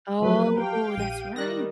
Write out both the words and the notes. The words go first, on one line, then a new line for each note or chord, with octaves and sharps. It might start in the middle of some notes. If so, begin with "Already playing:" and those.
Oh, that's right.
F3 F#3 G#4 B4
G4 F5 G5
A#1 D#7
D#3 G3 D5 F#6 A#6